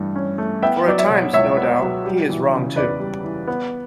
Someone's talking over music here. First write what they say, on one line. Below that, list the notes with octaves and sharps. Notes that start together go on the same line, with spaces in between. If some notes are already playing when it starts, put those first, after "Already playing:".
For at times, no doubt, he is wrong too.
Already playing: G2 E3 A3
C#4
A3
B3 E5 G5
F#3 D5
C#5 E5
B2
C#2 C#5 E5
B3
F#3
G3
E3
C#3
E2 B4 D5
G3
E3
B3